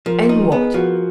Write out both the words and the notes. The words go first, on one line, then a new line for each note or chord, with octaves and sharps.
"And what?"
F3 A#4
D#4
B3 G#4
F3 F#4